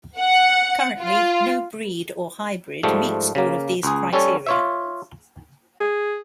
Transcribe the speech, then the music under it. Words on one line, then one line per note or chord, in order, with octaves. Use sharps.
Currently, no breed or hybrid meets all of these criteria.
F#5
F4
G#2 F3 G3 A3
C#3 A#3
C#2 G#4
G3 C#4 A4 C#5
F4 C#5 E5
G#4